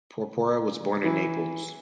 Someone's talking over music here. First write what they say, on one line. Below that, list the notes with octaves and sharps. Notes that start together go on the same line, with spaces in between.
Porpora was born in Naples.
E3